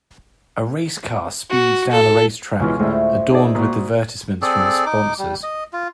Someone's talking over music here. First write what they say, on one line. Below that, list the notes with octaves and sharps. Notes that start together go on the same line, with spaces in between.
A race car speeds down the racetrack, adorned with advertisements from its sponsors.
F#4
A4
C#2 B2 E3 C#4 F4
D2 A2 G#3 E4 C5
D#4 G#4 D5
A#2 F#4 D#6
C4 G#4 A4 D5
D#4 D6
G3
D#5
F4